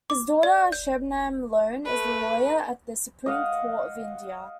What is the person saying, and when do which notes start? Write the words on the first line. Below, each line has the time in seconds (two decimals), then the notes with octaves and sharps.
His daughter Shabnam Lone is a lawyer at the Supreme Court of India.
0.10 D6
0.43 D5
0.72 G6
1.85 A3 B4
3.26 D#5 F5 F#5